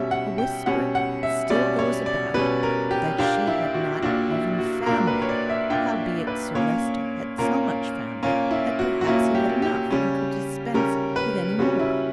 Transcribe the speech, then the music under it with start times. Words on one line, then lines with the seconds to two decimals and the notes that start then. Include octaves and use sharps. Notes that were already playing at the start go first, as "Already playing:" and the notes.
A whisper still goes about that she had not even family; howbeit, Sir Leicester had so much family that perhaps he had enough and could dispense with any more.
Already playing: B2 G3 C#4 E5
0.11 F#5
0.38 G5
0.66 B2 G3 C#4 F#5
0.95 F#5
1.23 E5
1.50 B2 G3 C#4 D5
1.79 C#5
2.06 D5
2.34 B2 G3 C#4 B4
2.63 A#4
2.91 G4
3.18 A#2 A#3 D4 G4
3.47 E4
3.74 F#4
4.02 A#2 A#3 D4 F#4
4.31 E4
4.59 F#4
4.86 A#2 A#3 D4 A#4
5.07 B4
5.22 C#5
5.29 D5
5.49 E5
5.70 A#2 A#3 D4 G5
6.27 B4
6.54 A#2 A#3 C#4 C#5
7.38 A#2 A#3 C#4 A#4
8.23 A#2 A#3 C#4
8.51 E4
8.79 F#4
9.01 F#4
9.07 A#2 A#3 C#4 E4
9.35 G4
9.62 G4
9.91 C#3 G3 C#4
10.74 C#3 G3 C#4 A#4
11.16 B4
11.59 C#3 G3 C#4 F#4
11.79 E4